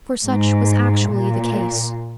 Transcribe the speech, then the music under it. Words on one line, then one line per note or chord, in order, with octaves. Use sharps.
For such was actually the case.
G#2
A#2